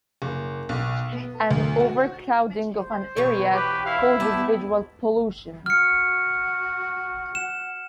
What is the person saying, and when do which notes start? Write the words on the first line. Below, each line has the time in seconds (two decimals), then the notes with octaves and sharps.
An overcrowding of an area causes visual pollution.
0.22 F#1
0.69 B1
1.12 B3
1.51 D2
1.80 F#4
2.80 C5
3.17 B2 E3 C#5
3.54 G4 B4
3.86 E4 F5
4.20 B3 G4 A5
5.66 F#4 F6 C#7
7.35 F#5 E7